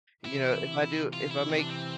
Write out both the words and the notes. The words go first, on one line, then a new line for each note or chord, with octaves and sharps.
you know, if I do if I make
C3 E3 E4
C3 E3
F4
E4
C4
D4
C4